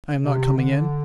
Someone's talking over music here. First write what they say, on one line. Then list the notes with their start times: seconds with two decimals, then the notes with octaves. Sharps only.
I am not coming in.
0.21 C3
0.56 D3